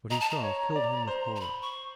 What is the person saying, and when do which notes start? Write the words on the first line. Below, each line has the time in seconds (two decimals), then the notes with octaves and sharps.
What he saw filled him with horror.
0.10 D#5 A#5
0.20 A5
0.29 A#5
0.43 C#5
0.76 D5
1.07 C5
1.36 A#5
1.40 B5
1.62 C#6